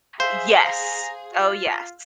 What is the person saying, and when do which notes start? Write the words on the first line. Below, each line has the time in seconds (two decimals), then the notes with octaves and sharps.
Yes. Oh yes.
0.20 G#4 C5 E5 F5
0.64 F5 A#5
1.33 F4